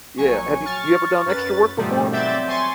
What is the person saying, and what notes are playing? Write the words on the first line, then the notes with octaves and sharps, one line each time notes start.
Yeah, have you you ever done extra work before?
A#1 F#3 G#5 C#6
C#6 F6 A6
F#2 B4 A6
G#2 B2 D#3 F3 G3 A3
F#3 C4 D5 E5 G6 A6
G#5 C6 C#6 A6